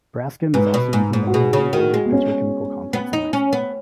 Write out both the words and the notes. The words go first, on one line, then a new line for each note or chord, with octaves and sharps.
Braskem is also implementing an integrated petrochemical complex in Mexico.
G#2 B4
B2
G#2
G#2
F#4
B2 G#4
C#3
D#3 F#4
G#3
B3
C#4
B3
D#4
C#4
B3